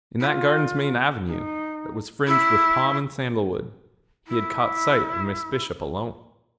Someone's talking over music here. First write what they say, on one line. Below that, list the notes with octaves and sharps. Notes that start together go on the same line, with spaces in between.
In that garden's main avenue, that was fringed with palm and sandalwood, he had caught sight of Miss Bishop alone.
E4
F4
D#4
E4
E4